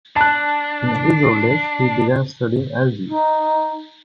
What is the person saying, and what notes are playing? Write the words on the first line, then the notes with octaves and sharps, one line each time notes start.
In his old age he began studying algae.
D4 A5 F#6
D#4